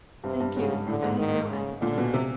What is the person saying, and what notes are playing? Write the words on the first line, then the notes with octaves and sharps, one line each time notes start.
"Thank you, I have no appetite."
G2 C3
G2
G#2 C#3
A2 D3
G#2
D#3
C#3
A#2 D3
B2
C3